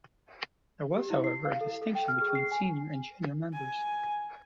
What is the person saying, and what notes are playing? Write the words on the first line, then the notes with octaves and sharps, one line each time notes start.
There was, however, a distinction between senior and junior members.
G4
E4
C7
F5
A4
A4
G5
F6
G#4
C7
G#5
G#5